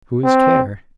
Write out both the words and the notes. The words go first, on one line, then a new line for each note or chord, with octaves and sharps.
"Whose care?"
C4